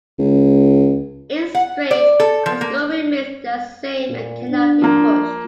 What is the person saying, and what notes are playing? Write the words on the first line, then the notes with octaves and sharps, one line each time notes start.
In 'straight', the score remains the same and cannot be pushed.
C#2
F#5
D5
A4
F3
A#3
A#2
D4
F3 A#3